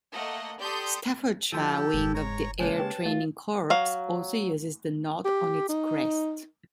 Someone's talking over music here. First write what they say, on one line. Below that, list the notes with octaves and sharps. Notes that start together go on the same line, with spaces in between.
Staffordshire wing of the Air Training Corps also uses the knot on it's crest.
A3 A#3 D#5 F#5
G4 A4 D5 C6 D#6 G6
F3 E4 F#4 G4 A4 D#5
F#1 G#2 G#3
C#5 A#5
C#3 G#3 A#3 C#4 C#5 G#5 A5
G4 B4 G5
A3 F4
F#3 F5
G4
D#4